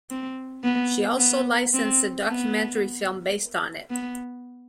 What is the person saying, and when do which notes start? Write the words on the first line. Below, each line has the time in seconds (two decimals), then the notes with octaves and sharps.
She also licensed a documentary film based on it.
0.11 C4
0.64 B3
1.18 B3
1.73 C4
2.27 B3
3.90 B3